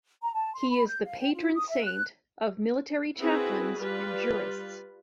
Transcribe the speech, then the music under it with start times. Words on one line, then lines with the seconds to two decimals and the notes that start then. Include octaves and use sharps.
He is patron saint of military chaplains and jurists.
0.21 A#5
0.34 A5
0.55 C6
0.70 B5
0.87 G6
1.04 F5
1.19 G5
1.34 F4
1.54 D#6
1.69 E5
1.84 F#6
3.18 C4 E4 F#4 G#4 B4
3.77 G3 F4 B4